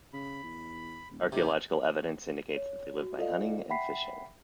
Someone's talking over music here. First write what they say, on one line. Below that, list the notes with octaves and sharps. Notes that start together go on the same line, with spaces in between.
Archaeological evidence indicates that they lived by hunting and fishing.
C#3 B5
E2
D#1
F1 C3 D#4 G4
C#5
F#4
F4 A4 D5 D#5 F5
E5 F#5 G5 B5 B6 C7